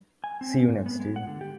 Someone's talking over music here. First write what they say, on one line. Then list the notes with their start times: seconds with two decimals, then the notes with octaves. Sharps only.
See you next year.
0.24 G#5
0.41 C4
0.67 G#2
0.86 B3
1.00 G#3
1.16 F#5
1.27 D3
1.41 G4